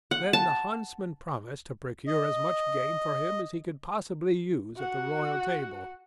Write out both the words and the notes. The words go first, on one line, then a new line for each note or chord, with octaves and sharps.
Then the huntsman promised to procure as much game for him as he could possibly use at the royal table.
F#5
A5
D#5
F#4 F#5